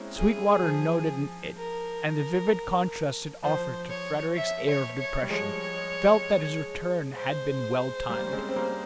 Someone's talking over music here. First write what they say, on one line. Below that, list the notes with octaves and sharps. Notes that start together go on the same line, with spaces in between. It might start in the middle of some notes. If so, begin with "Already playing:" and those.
Sweetwater, noting it, and the vivid contrast it offered to Frederick's air of depression, felt that his return had been well timed.
Already playing: G#3 A#3 C4 C#4 E4
G#4
F3
A#4
F3 C5
C#5
E5
C#5
C#5
G3
F3 G#3 C#5
C5
G3 A#3
C#4
G#3 C4
C4
G3 A#3